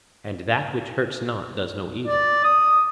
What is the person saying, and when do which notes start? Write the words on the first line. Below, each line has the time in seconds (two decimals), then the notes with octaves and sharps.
And that which hurts not does no evil?
2.08 D5
2.44 D#6